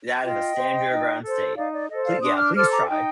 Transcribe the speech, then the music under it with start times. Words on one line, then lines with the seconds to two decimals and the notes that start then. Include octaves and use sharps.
that is a stand your ground state. "Plea yeah, please try."
0.24 F4 D#5 G5
0.57 C5
0.90 D#4
1.23 A4 C5
1.56 D#4 D5 F5
1.72 D5
1.90 A4 C5 D#5
2.06 D5 F5
2.22 D4 C6 D#6
2.38 D6 F6
2.55 A4 C5 D6 F6
2.72 A#5 D6
2.88 D#4 D#5 G5